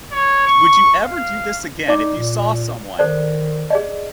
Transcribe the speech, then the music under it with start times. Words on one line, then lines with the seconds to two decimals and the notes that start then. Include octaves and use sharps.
D would you ever do this again? If you saw someone,
0.12 C#5
0.47 C#6
1.04 F5
1.88 D#4 D5 D6
2.17 A#2
2.99 D#3 A4 C5 D5
3.70 G#4 D5 D#5